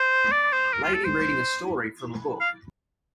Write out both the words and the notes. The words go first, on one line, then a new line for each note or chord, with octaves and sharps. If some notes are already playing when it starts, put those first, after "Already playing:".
Lady reading a story from a book.
Already playing: C5
D5
C5
A#4
F4
A4
C5
F5